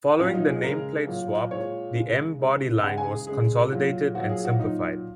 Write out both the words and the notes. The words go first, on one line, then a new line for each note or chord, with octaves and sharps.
Following the nameplate swap, the M-body line was consolidated and simplified.
A#2 F#3 C#4
D#4
G#4
C#3 G#3 A#4
A#2 F#3
A#2 G#3 C#5
C#3 G#3
C#3 G#3
C#3 G#3 F#5
G#5
G#4
C#3 G#3 G#4
A#2 F#3
A#2 F#3 F#4
G#4
F#4
A#2 F#3 D#4